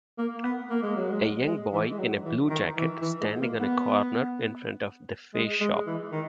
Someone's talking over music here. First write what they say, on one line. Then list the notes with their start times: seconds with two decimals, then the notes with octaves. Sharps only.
A young boy in a blue jacket standing on a corner in front of THEFACESHOP.
0.18 A#3
0.43 B3
0.70 A#3
0.83 G#3
0.96 F#3
1.10 G#3
1.47 G#3
1.73 E3
1.91 G#3
1.99 F#3
2.25 E3
2.50 D#3
2.77 E3
3.02 E3
3.21 G#3
3.41 A#3
3.60 B3
5.34 G#3
5.61 G#3
5.87 E3
6.12 D#3